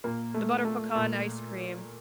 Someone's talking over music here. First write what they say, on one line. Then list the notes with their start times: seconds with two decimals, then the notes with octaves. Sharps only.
the butter pecan ice cream.
0.04 A#2 A#3
0.34 A3
0.64 A3
0.95 A#2